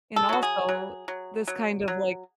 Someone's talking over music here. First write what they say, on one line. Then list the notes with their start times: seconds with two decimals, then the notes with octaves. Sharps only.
And also, this kind of, like
0.16 A4
0.29 F#3 F#4
0.43 G#4
0.69 F#3
1.08 F#3
1.47 F#3
1.88 F#3